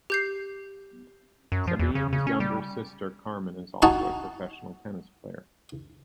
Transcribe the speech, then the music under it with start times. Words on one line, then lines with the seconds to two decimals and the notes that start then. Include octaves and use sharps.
Sabine's younger sister, Carmen, is also a professional tennis player.
0.10 G4 G6 C7
1.52 F#2
1.68 F3
1.79 E2
1.95 C#3
2.13 C#3
2.27 C#4
2.40 G3
3.82 D#4 F#4 G#5 A5 C#6